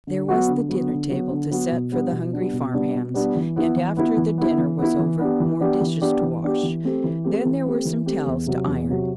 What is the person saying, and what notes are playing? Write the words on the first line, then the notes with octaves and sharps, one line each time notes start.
There was the dinner-table to set for the hungry farm-hands, and after the dinner was over more dishes to wash. Then there were some towels to iron.
D3
F#3 B3 F#4
D3
F#3 B3 F#4
D3
F#3 B3 F#4
D3
F#3 B3 F#4
B2
G3 B3 D4
B2
G3 B3 D4
B2
G3 B3 D4
B2
G3 B3 D4
E3
B3 E4
E3
B3 E4
E3
B3 E4
E3
B3 E4
E3
B3 D4 G4
E3
B3 D4 G4
E3
B3 D4 G4
E3
B3 D4 G4
E3
A3 C4 G4
E3
A3 C4 G4
E3
A3 C4 G4
E3
A3 C4 G4
E2
C3 F#3
E2
C3 F#3